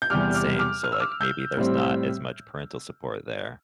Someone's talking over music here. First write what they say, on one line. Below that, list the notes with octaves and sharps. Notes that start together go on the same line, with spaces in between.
the same, so, like, maybe there's not as much parental support there
G6
E2 C3 G3 D6 F6
D6 F6
D6 F6
F6
E6
D6 F6
E6 G6
A2 G3 C4